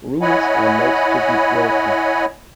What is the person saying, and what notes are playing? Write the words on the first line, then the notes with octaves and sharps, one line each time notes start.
Rules are made to be broken.
E4 C#5 D#5 F#5 G#5 B5